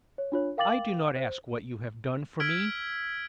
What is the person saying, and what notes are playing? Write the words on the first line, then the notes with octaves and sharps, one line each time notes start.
I do not ask what you have done for me.
C#5
D4 F4 C#5
A#4 F5 G5 D6 A6 F#7
C5
E6 F6 G#6 B6 D7